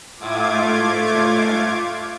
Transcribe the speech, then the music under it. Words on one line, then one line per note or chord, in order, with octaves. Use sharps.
um, you may check that, uh,
A3 F4 D6 G#6